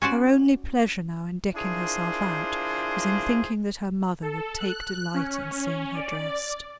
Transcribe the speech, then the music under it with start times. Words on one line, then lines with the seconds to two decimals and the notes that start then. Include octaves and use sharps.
Her only pleasure now in decking herself out was in thinking that her mother would take delight in seeing her dressed.
0.02 C#4 F#4 C5 D5
1.55 D4 E4 F4 G#4 A#4 C5
4.22 A4
4.58 F#6
5.14 C#4
5.94 D5